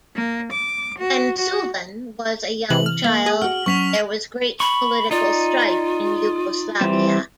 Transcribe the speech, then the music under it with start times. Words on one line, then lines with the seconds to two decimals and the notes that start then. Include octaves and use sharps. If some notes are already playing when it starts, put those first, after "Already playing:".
When Suvin was a young child, there was great political strife in Yugoslavia.
0.14 A#3
0.51 D6
0.97 F#4
1.38 F#4
2.70 C3 E3 F#7
2.86 F6
3.04 A#3 F5
3.26 G#4
3.42 F#4 F#5 F6
3.66 F#3 C#4 C#6 B6 F7
4.60 B5 C#6
5.11 D#4 F4 D5
6.81 E3 G3 C4